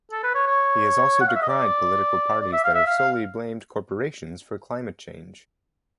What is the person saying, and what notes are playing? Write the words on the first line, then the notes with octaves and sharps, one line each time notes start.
He has also decried political parties that have solely blamed corporations for climate change.
A4
B4
C#5
C#5
F#5
F5
E5
D#5
D5
D5
E5
F5
E5
F5
F5